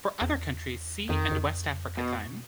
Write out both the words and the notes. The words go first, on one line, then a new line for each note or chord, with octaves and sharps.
For other countries see and West Africa Time.
E2
F2 D#3
F2
E2 B2
F2
B2